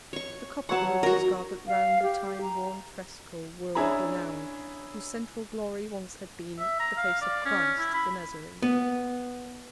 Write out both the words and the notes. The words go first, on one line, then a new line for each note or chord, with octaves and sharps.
The copyist group was gathered round A time-worn fresco, world-renowned, Whose central glory once had been The face of Christ, the Nazarene.
C#5 C#6
F#3 C#5 F#5 A5 C#6
F#4 A#4
F5
G4
A#5
C#4 D4 E4 G#4 A#5 B5
E5
A#5
F5
D5
C#4
E4
B5
B3